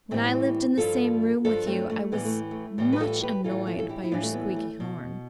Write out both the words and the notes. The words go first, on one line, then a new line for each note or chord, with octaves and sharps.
When I lived in the same room with you I was much annoyed by your squeaky horn.
A2 E3 G3 A3 C4
G2 F3 F4 A4
G2 F3 F4 A4
A3 C4
A3
A2 E3 G3 B3
A3
A3
A2 E3 G3 B3
B4
F4 A4
G4 B4
A2 E3 G3 F4 A4
F4 A4
A4
E4 G4
E4
A2 E3 G3 D4 F4
A3
B3
A3
B2